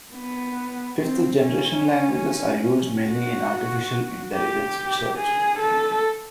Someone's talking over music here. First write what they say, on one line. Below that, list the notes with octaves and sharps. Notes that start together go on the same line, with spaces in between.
Fifth-generation languages are used mainly in artificial intelligence research.
B3
C4
C#4
F#4
G4
G#4
A4